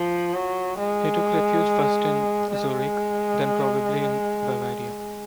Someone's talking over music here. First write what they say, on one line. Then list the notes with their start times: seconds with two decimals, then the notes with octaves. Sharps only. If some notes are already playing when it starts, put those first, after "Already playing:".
He took refuge first in Zurich then probably in Bavaria.
Already playing: F3
0.34 F#3
0.78 G#3
2.51 G#3